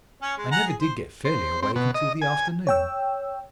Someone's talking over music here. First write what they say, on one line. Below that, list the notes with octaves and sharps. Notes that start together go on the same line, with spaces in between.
I never did get fairly awake until the afternoon.
C#4 C#5
G#3
F#5 G#5 A#5
G#4
C5
C5
C4
B2
D#5
G#5
C#5 G5 E6